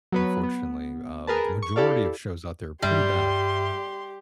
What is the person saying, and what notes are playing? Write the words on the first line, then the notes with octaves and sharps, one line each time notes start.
unfortunately, um, the majority of shows out there are pretty bad.
F#3 B3 B4
B3
G#4 A#4 B4 A5
C#6
E4 G4 A4 D5 F5
G2 G3 G4 E5 C6